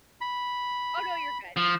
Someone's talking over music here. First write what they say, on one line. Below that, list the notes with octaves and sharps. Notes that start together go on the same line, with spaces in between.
Oh no, you're good.
B5
F3